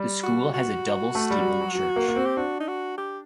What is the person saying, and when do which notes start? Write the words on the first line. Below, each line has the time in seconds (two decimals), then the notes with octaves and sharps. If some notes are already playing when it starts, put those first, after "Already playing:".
The school has a double steepled church.
Already playing: G3
0.23 F#4
0.54 F#4
1.15 A3
1.31 G3
1.39 F#3
1.45 G3
1.61 F#3
1.75 F#3
1.96 A#3
2.08 A#3
2.16 C4
2.26 G4
2.37 D4 F#4
2.60 D#4
2.68 F#4
2.98 G4